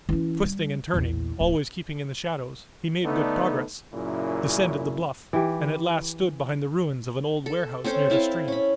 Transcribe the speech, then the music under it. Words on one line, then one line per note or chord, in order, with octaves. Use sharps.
Twisting and turning, always keeping in the shadows, he made good progress, descended the bluff, and at last stood behind the ruins of an old warehouse near the stream.
E3 C#4
G3
A#1 E2
D1
D3 A3 B3 D4 D#4
F#2 A#2 C#3 E4
E3 G4
A4
C4 C#4 A4 C5
C4 E4 F5 A5
C#4 B5